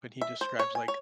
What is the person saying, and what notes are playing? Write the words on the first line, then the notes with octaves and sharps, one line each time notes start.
When he describes, like,
E5
C5
C#5
G#5
C#5